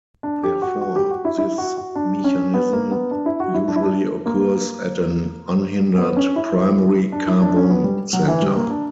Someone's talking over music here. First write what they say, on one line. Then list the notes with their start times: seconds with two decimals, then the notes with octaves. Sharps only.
Therefore, this mechanism usually occurs at an unhindered primary carbon center.
0.23 D4
0.43 G4
0.62 F#4
0.81 F#4
0.96 G4
1.11 F#4
1.25 E4
1.38 E4
1.58 F#4
1.77 F#4
1.95 D4
2.24 C#4
2.54 B3
2.73 A#3
2.91 B3
3.11 D4
3.26 E4
3.40 F#4
3.54 E4
3.68 D4
3.76 E4
3.82 D4
4.26 A#3
5.98 B3
6.17 C#4
6.36 E4
7.12 D4
7.27 E4
7.42 D4
7.56 C#4
7.70 B3
7.84 G3
8.13 F#3
8.28 E3
8.42 G3
8.56 A#3
8.71 D4